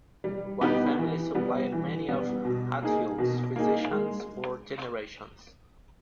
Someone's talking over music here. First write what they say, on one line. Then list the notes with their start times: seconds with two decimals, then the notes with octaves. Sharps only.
One family supplied many of Hatfield's physicians for generations.
0.24 G3
0.61 B3 D#4 G4 B4
0.98 E3
1.35 G3 B3
1.72 E3
2.09 G3 B3
2.45 B2
2.82 A#3 D#4 G#4
3.18 B2
3.56 A#3 D#4 G#4
3.92 G#3